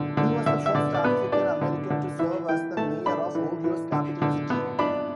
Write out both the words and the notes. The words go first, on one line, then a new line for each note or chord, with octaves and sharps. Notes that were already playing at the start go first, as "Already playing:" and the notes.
He was the first African-American to serve as the mayor of Ohio's capital city.
Already playing: D3
D3
D3 E5
E5
D3 D5
D5
B3 B4
D4 D5
D3
D3
E3 E5
E3 G5
A3 A5
D4 B5
E3
E3
D3
D3
B3
D4 B5